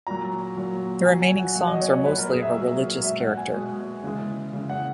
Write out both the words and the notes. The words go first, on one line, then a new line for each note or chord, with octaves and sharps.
The remaining songs are mostly of a religious character.
A#2 F#3 A#5
A#2 F#3
B2 F#3 G#5
G#5
F#5
B2 F#3 F#5
D#5
C#5
C#5
A#2 F#3 B4
A#4
G#4
E5
A#2 F#3 E5
B2 G#3 E5
F#5
G#5
B2 G#3
C#3 E3 G#3
C#3 E3 G#3
F#5